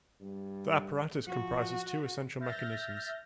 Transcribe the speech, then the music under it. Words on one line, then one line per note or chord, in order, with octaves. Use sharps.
The apparatus comprises two essential mechanisms.
G2
F3 F#4
E5 F6 G6 A6 A#6